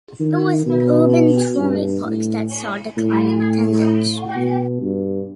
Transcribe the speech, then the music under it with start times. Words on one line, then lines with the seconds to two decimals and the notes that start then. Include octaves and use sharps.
It was urban trolley parks that saw declining attendance.
0.20 D#3
0.66 B2
1.58 G2
2.05 A2
2.97 A2
4.36 B2
4.82 G2